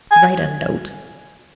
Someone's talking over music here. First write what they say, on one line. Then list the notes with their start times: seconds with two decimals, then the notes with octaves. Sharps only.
Write a note!
0.11 G#5